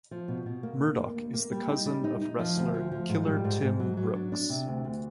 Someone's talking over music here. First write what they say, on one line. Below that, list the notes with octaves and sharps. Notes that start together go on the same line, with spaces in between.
Murdoch is the cousin of wrestler Killer Tim Brooks.
F3
B2
B2
A#3
D4
A#3
D#2
A#3
G3
D#4
G3
D#4
D#4
F3
D2
F3
F3
G#2
G3
G#2
G#2
F#3
F#3
D4
D4
C3
D2
D2